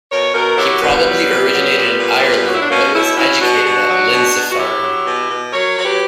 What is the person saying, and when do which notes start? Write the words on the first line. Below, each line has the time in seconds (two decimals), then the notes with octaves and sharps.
He probably originated in Ireland but was educated at Lindisfarne.
0.11 B2 A#4 C#5
0.34 B2 F#4 A#4
0.58 F#3 E4 G4
0.82 A#2 G3 B3
1.05 F#3
1.29 A#2
1.53 F#3
1.77 A#2
1.99 A#2
2.23 A#2
2.46 F#3 F#4
2.53 E4
2.62 D4
2.70 B2 A#3 C#4
2.94 B2 C#4 E4
3.17 F#3 C#4 E4
3.40 B2 D4 F#4
3.64 B2
3.88 F#3
4.12 B2
4.36 B2
4.50 F#4
4.59 F#3 E4 G4
4.82 F#3
5.06 B2
5.29 B2
5.53 F#3 A#4 C#5
5.77 F#3 C#5
5.85 G4 B4